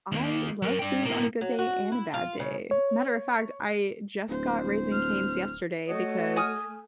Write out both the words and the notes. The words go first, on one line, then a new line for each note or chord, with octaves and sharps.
I love food on a good day and a bad day, matter of fact, I just got Raising Cane's yesterday because
D#2 A#3
F#3 A#4
D4 G5
A2 A#3
F#3
F#4
E4
F4
C#3
C#5
D1 C5
F6
A3 F#4 C#5 D#5
G#5 D#6 F6